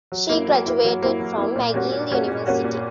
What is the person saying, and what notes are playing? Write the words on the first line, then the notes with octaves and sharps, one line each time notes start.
She graduated from McGill University.
F#3
A#3 E4
F#3
A#3 E4
F#3
A#3 E4
F#3
A#3 E4
A#2
G3 A#3 C#4 F#4
A#2
G3 A#3 C#4 F#4
A#2
G3 A#3 C#4 F#4
A#2